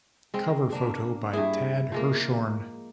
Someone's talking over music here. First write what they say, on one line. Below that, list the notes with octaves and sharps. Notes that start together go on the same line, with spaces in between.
Cover photo by Tad Hershorn.
G#3 C4
A#3 D4
G2 E4 G#4
F3 G#3 A#3